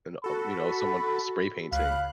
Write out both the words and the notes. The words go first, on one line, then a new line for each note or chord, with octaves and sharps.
and, uh, you know, someone spray painting.
F#4 A4 B5
C#2 F5 B5 F#6